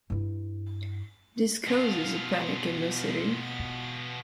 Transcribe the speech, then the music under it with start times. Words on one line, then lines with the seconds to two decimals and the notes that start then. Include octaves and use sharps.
This causes a panic in the city.
0.10 G2 E4
1.68 B2 F4